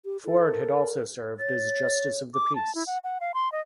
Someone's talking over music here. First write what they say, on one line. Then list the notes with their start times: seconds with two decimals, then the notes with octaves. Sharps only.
Ford had also served as justice of the peace.
0.05 G4
0.24 E4 A4
0.45 A#4
1.39 C#5 A6
2.34 D6
2.55 A5
2.75 E4
2.87 F#5
3.04 F#5
3.21 F5
3.34 C6
3.52 D#5